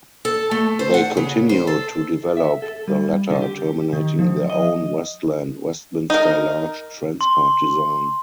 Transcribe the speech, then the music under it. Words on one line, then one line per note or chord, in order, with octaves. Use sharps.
They continued to develop the latter, terminating their own Westland Westminster large transport design.
A4
A3
C5
F#5
C#3
C5
A4
E5
A4
G3
D3
G4
D#3
F3
D#5
D#4 A#4
C6